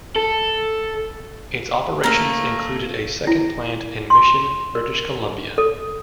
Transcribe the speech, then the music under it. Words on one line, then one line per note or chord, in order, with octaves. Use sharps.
Its operations included a second plant in Mission, British Columbia.
A4
A3 A#3
E4
C6
A#4
A4